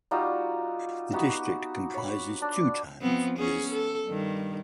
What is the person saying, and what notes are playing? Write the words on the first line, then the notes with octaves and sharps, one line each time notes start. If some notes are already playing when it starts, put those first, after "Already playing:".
The district comprises two towns viz.
G3 D#4 F4 F#4
B3 D#4 F#4 G4
C#5 B5
D4
F3 B3 C4
B3 C#4 G#4
A4
G2 D#3